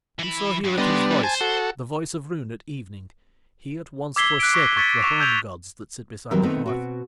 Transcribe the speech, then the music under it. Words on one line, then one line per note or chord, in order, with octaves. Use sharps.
Whoso heareth his voice, the voice of Roon at evening, he at once forsaketh the home gods that sit beside the hearth.
E3 B5
G2
G3 B3 D4 D#5 C6
A#2
C5 G#5 A5
F#4 A4
D6 E6 G#6 B6 C7 G7
F#6 B6 D7
C#6 F#6 A#6 B6
C#6 G#6 A6 B6 C#7
C#6 E6 D7 E7 F7
E6 G6 G#6 D7 F7
D#3 E3 F#3 G3 C4
D#3 A3 B3 C4
B2 C4 F#4